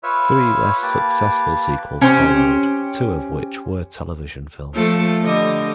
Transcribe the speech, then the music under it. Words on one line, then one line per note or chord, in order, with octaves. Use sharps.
Three less successful sequels followed, two of which were television films.
F4 B4 C#5 E5
A#3 G4 B4 A5
C#4 G4 C5
F3 A3 A4
D3 G3 D#5